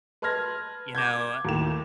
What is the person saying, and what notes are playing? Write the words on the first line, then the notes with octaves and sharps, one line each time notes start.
you know,
B4 A5 C6 F6 G#6 A#6
D6 G6 G#6
D#2 A2 E7